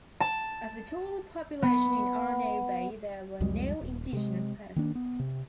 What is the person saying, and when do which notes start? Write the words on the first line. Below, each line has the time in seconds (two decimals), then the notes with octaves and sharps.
Of the total population in Arno Bay there were no Indigenous persons.
0.20 A5
1.62 B3
3.41 C2 F2 G3 G#3
3.81 D#1
4.13 C3 G#3
4.76 D#3 A#3 D4
4.95 B3
5.19 C3